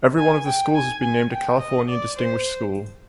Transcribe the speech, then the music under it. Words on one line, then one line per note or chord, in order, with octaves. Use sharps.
Every one of the schools has been named a California Distinguished School.
G#5
G5
G#5
G#5
G5
D#5
D5
C5